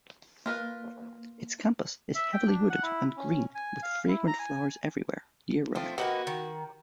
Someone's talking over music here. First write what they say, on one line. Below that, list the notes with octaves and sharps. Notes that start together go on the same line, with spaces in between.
Its campus is heavily wooded and green, with fragrant flowers everywhere year-round.
A#3 F4 A#4 B4
E5
G5
D4
F#5
E4
C#4
G#5
F5
E4
A#5
G#5
F3 A3 C4
A#3 D#4 F#4 G4 B4 F#5
D#3